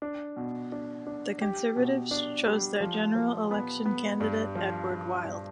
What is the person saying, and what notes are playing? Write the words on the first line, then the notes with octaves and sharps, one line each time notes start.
The Conservatives chose their general election candidate Edward Wild.
D4
B2
D4
D4
G4
B2
D4
G3
F3
F3
B3
B3
G2
F3
F3
G2